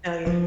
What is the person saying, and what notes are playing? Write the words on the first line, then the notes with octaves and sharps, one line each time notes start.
Oh, yeah.
F3